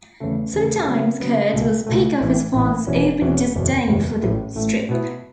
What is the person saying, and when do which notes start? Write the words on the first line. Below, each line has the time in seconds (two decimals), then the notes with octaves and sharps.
Sometimes Kurtz will speak of his father's open disdain for the strip.
0.20 E2 C#3 A3
0.53 E2 C#3 A3
0.87 C#3 F#3 B3
1.20 C#3 F#3 B3
1.53 C#2 B2 A3
1.86 C#2 B2 A3
2.20 A1 A2 E3
2.53 A1 A2 E3
2.87 E1 E2 E3 C#4 F#4
3.21 E1 E2 E3 C#4 F#4
3.55 F#1 E2 B2
3.88 F#1 E2 B2
4.21 A1 A2 A3
4.55 A1 A2 A3
4.89 B2 B3 E4